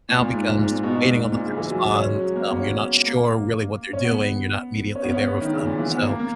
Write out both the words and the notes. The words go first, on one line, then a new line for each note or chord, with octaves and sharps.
now becomes waiting on them to respond, um, you're not sure really what they're doing, you're not immediately there with them, so
A#2
A#2
G#2
G#2
G#2
A#2
B2
B2
G#2
G#2
A#2
C#3
E3
F#3
G#3
C#4
F#3
G#3
A#3
B3
C#4
A#3
C#4
B3
C#4
B3
C#4
B3
B3
D#3
C#3
A#2
E3
B3
A#3
A#3